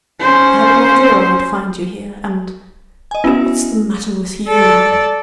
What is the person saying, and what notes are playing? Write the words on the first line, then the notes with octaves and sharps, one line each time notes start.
I had an idea I would find you here, and--but what's the matter with you, man?
C#4 C5
D#5 G#5
B3 C#4 E4 F#4
A4 D5